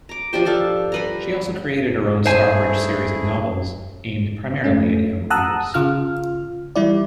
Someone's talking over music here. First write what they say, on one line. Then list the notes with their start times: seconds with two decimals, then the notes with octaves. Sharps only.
She also created her own Starbridge series of novels, aimed primarily at young readers.
0.09 A#5 D6
0.33 F3 D4 G4 C5
0.45 F3 D4 A4 F5
0.92 G3 B4 A#5
2.26 G2 A3 E4 G#4 C5 G#5
4.64 A3 C#4
5.30 F#5 A5 A#5 D#6 E6 F#6
5.74 C#3 F4 F6
6.76 E3 G3 E4 D5